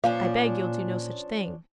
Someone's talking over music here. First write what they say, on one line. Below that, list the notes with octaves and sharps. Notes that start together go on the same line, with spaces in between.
'I beg you'll do no such thing.
A#2 F3 C#4 D4 F5